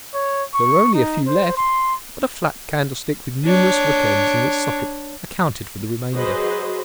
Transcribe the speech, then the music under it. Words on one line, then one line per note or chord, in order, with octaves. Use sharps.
There were only a few left, but a flat candlestick with numerous wick-ends in its socket accounted for the remainder.
C#5
C#6
D#4
C5
C6
D4 C#5
F#3 F#4 G#4 B4 C5 D#5